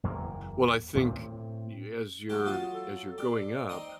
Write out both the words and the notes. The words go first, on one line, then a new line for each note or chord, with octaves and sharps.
Well, I think y as you're as you're going up,
F#1 E2 A#3
A2 C4
F#3 A3 G4
F#3 F4 A5 D#6
A4
G4 D5
C4 D#4 D#6